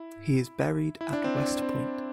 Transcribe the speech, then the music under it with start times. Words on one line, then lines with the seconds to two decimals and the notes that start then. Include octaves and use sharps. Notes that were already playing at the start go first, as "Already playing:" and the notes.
He is buried at West Point.
Already playing: E4
1.01 E4
1.13 D4
1.24 C4
1.37 D4
1.62 C4